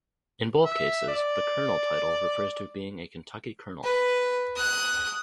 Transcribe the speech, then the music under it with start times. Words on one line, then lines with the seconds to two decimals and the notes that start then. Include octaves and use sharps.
In both cases, the "Colonel" title refers to being a Kentucky colonel.
0.65 E5
1.08 D5
3.83 B4
4.56 D#6 F#6